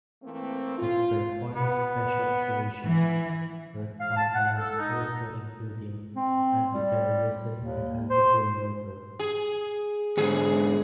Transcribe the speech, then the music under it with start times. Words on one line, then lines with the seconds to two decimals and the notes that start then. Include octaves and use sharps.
It performs special operations work on land also, including anti-terrorism and anti-criminal work.
0.22 E3 A3 A#3 C4
0.78 F4
1.56 B3
2.84 E3
4.00 F5
4.16 A5
4.34 F#5
4.57 A4
4.78 D#4
6.16 C4
6.72 G3
7.57 D#2
8.10 C5
9.19 G#4
10.18 G#2 D3 G#4